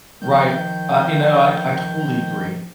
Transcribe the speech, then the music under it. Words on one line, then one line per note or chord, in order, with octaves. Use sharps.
Right. Uh, you know, I I totally agree.
D#3 F3 G6